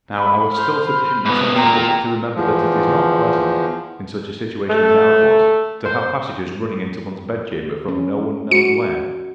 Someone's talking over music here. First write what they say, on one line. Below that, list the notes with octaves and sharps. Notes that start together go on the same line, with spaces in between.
Now, I was still sufficiently sensible to remember that it is not pleasant, in such a situation as ours was, to have passages running into one's bed-chamber from no one knows where.
B5
C5 F6
B5
G#2 B3
A#2 G5 A#5
E2 F3
A3
C5
C#4
F#4 C#7